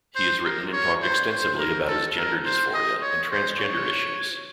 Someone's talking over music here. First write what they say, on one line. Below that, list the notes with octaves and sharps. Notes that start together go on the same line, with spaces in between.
He has written and talked extensively about his gender dysphoria and transgender issues.
C5
A#4
C#5
C5
C5
A#4
A4
A#4
C5
D#5
C#5
C5
C#5